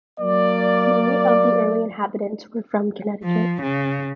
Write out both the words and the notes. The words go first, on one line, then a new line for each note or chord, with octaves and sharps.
Many of the early inhabitants were from Connecticut.
F#3 A#3 D5
F3
C#3